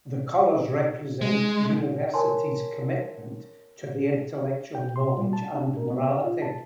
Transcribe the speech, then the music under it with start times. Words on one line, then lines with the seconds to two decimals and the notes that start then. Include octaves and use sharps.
The colors represent University's commitment to the intellectual knowledge and morality.
1.21 G#3
2.14 A#4 C#5 G#5 A5 C6
4.75 G5
4.96 C6
5.17 G3
5.33 A5
5.55 D4
5.77 A#4
5.90 B3
6.07 D5
6.24 F4
6.42 A5